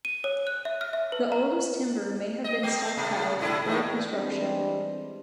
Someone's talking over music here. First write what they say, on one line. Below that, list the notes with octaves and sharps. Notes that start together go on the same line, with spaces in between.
The oldest timber may have been stockpiled before construction.
D#7
C#5
F#6
E5
F6
E5
B4
A#5
D#5
A3
C3 A3
G#2 D3 E4
E2 A2 D#4
E3 G3 G#3 C4 D4